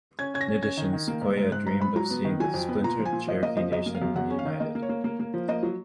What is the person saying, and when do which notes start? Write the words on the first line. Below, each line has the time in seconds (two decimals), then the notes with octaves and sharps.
In addition, Sequoyah dreamed of seeing the splintered Cherokee Nation reunited.
0.19 C#4 G#6
0.34 C#4 G#6
0.41 A#6
0.48 C#4
0.63 C#4 G#6
0.77 D#3
0.93 D#3
1.08 A#3
1.21 G#2
1.37 G#2
1.52 G#2 F#6
1.66 G#2 A#5
1.80 G#2 B5
1.96 F#3 A#5
2.10 B3
2.25 D#3
2.40 F#3 G#5
2.54 F2
2.69 B3
2.84 A#2 A#5
2.99 F3
3.05 G#5
3.13 A#2
3.27 F3 D#5
3.42 A#3 D#5
3.57 F3 D#5
3.72 F#2 D#5
3.86 A#3
3.95 F5
4.02 F#2
4.16 F#2 F#5
4.30 C#4
4.39 F5
4.45 D#3
4.60 A#3 D#5
4.75 A#3
4.82 C#5
4.89 A#3
5.04 A#3
5.20 A#3
5.34 F3
5.48 A#3 D#5
5.63 F#3